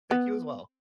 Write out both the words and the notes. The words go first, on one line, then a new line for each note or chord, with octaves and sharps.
Thank you as well.
B3